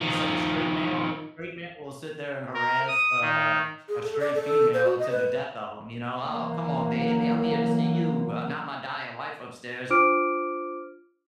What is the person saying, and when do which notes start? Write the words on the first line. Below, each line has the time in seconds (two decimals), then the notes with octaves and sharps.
It's like a straight male straight male will sit there and harass, uh, a straight female to the death of him, you know? "Oh, come on, baby. I'm here to see you, uh, not my dying wife upstairs."
0.01 D#3 F3
2.54 A#4
2.87 D#6
3.21 D#3
3.89 G#4
4.04 A4
4.20 D5
4.35 A4
4.73 C5
4.85 F#4
4.99 D#5
5.10 B4
6.28 E3 F#3 A#3
9.90 D4 F4 C5 D6 F6 D7